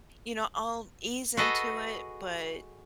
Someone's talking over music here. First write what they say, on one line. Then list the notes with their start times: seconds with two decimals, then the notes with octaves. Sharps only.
you know, I'll ease into it, but
1.37 F#4 G#4 A4 B4 D#5